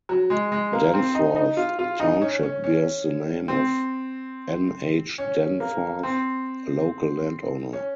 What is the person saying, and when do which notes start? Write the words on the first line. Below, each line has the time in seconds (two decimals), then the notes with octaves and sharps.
Danforth Township bears the name of N. H. Danforth, a local landowner.
0.09 F#3
0.30 G#3
0.52 G#3
0.73 A#3
0.94 C4
1.15 D#4
1.36 D#4
1.57 F4
1.79 F4
2.00 D#4
2.22 C#4
2.43 C#4
2.64 C#4
3.48 C4
5.18 C#4
5.60 A#3
6.03 C4
7.73 C#4